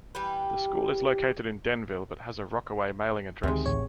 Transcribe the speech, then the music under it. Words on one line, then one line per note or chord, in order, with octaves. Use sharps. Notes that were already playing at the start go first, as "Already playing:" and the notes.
The school is located in Denville but has a Rockaway mailing address.
E3 G3 G4 B4
D2 C3 D#3 G#3
A1 C#5